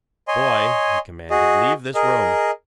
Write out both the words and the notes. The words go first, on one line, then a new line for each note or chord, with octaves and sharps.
"Boy," he commanded, "leave this room!"
C#5 D#5 G#5 C6
F#4 G#4 D#5
G#4 A#4 D#5